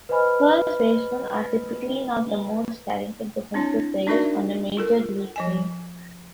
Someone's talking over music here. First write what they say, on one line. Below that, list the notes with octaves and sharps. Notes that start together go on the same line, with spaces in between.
First basemen are typically not the most talented defensive players on a major-league team.
B4 C5 D#5 G#5 B5 F6
C4 D4 E4 C#5
D4 D#4 F#4 A#4 D5 E5
F4 A4 A#4
F3 D#5 G#5